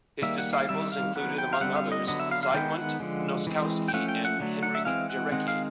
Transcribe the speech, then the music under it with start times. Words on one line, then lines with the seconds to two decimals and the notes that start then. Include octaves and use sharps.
His disciples included, among others, Zygmunt Noskowski and Henryk Jarecki.
0.22 D#3 G3 A#3 E5
0.38 F#5
0.53 F5
0.69 D#3 G3 C4 E5
0.92 F5
1.15 D#3 F#3 B3 F#5
1.38 G5
1.53 F5
1.61 D3 G3 C4 F#5
1.76 F5
1.92 D#5
2.07 D3 F#3 B3 D#5
2.20 E5
2.31 F5
2.43 F5
2.54 D#3 G#3 B3 G5
2.77 F#5
3.00 D3 F3 G#3
3.47 E3 G#3 C4
3.88 G5
3.93 F3 A3 C#4 F#5
4.08 G5
4.25 F#5
4.40 D3 F#3 A3
4.63 F#5
4.75 E5
4.85 E3 G#3 C4 F5
5.10 F#5
5.32 D#3 G#3 C4 F#5
5.48 F5